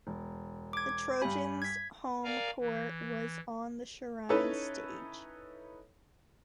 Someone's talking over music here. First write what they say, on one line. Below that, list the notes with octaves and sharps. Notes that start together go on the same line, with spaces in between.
The Trojans' home court was on the Shrine's stage.
E1
D6 G#6
G2 G4 G#5 B5
G#6 B6
A#4 D5 F5 G#5 A#5
E3
C#4 D#4 E4 A4 B4 C#5